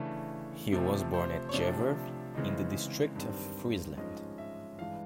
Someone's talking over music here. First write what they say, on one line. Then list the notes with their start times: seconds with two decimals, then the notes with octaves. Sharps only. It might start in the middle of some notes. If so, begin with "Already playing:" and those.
He was born at Jever in the District of Friesland.
Already playing: C#3 E3 A3 D4
0.73 C3 F3 A3 C4
1.14 C5
1.49 C#5
1.53 C3 F3 A3 D4 D5
2.34 C#3 E3 G#3 C4 D#4
3.16 G2 D#3 G3 C4
3.97 G#2 F3 G#3 C#4 D#5
4.38 E5
4.78 G2 E3 G#3 F5